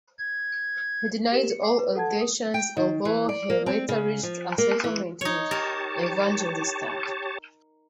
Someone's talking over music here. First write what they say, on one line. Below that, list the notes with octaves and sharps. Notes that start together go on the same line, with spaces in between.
He denied all allegations, although he later reached a settlement with Evangelista.
G#6
G4 A#4 E7
C#7
G5 D6 C7
B4
A4 F#5 A5 G#6
D#6
G5
D#3
E3
D5
A#3
C4
C#3
F3
A#3
E3
D#4 C#5
G4 A#4 C#5 A5